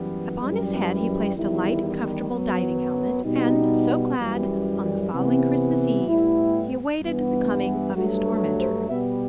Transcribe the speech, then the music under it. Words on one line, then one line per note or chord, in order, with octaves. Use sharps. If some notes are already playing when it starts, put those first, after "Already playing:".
Upon his head he placed a light and comfortable diving helmet, and so clad, on the following Christmas Eve he awaited the coming of his tormentor.
Already playing: F#2 E3 G3 B3
F#2 E3 G3
E2 D#3 G3 E4
F#2 F#3 B3
B2 G3 B3 D#4
F#2 E3 G3
C3 E3 B3
A2 G3 B3 E4
G2 E3 B3
G2 F#3 A3 F#4
A4
C5
B2 G3 B3 E5